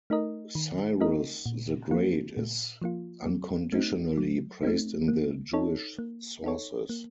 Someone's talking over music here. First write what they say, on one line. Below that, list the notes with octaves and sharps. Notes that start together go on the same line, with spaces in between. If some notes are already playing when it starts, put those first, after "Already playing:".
Cyrus the Great is unconditionally praised in the Jewish sources.
A3 D#4 A#4 D#5
D#3
A3 D#4 A#4 D#5
A#2
F3 A#3 F4
A#2
F3 A#3 F4
F#3
A3 C4 D#4
F#3
A3 C4 D#4
A#3
D#4 A4 C#5
A#3
D#4 A4 C#5
A#3